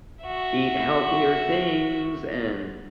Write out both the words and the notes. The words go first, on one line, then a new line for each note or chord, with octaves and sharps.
eat healthier things, and,
F#4 E5